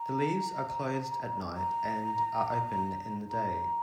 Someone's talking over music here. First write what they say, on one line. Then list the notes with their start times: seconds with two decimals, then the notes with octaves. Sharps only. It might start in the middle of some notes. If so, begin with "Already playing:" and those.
The leaves are closed at night and are open in the day.
Already playing: A#5
1.56 A#5
3.29 A#5